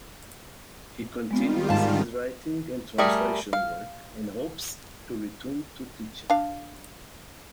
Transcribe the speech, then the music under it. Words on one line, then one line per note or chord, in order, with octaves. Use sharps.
He continues his writing and translation work and hopes to return to teaching.
D#3 G3 G#3 B3 C4 F4
G#2 D#4 F5 A5
G3 A3 G#4 A#4
F5
D4 F5